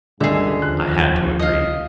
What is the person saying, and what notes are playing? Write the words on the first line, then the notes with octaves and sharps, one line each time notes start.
I had to agree.
C#2 G2 D3 G#4 E5
D#2 F3 F4 F#6
D#5 F5